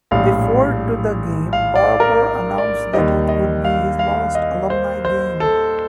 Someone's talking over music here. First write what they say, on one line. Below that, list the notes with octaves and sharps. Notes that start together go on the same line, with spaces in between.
Before to the game Barber announced that it would be his last alumni game.
A#1 A2 G3 F5
F5
D5
A#4
D5
D#2 D#3 G3 D#5
D#5
F5
F5
D#5
C5
C5
A4